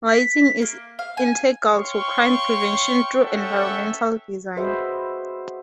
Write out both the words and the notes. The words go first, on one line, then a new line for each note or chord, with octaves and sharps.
Lighting is integral to crime prevention through environmental design.
B6
A#3
F5
G#5
C#5 F5 G5 C6 C#6
C#4 A4 C#5 E5 F#5 G5
F#4 G#4 B4 C5 D#5 E5